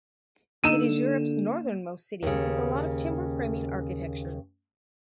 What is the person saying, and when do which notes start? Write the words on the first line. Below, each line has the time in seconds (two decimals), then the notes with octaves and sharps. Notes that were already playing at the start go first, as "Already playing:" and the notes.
It is Europe's northernmost city with a lot of timber framing architecture.
0.64 D3 A#3 D#4 E6 D#7 E7
2.23 D#2 C#3